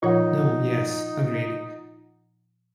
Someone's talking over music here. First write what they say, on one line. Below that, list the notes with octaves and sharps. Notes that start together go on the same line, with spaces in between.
No. Yes. Agreed.
A#2 F3 D#4 F4 C#5 F#5